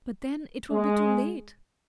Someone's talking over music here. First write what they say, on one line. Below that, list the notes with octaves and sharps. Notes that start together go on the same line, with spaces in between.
But then it will be too late!
G#3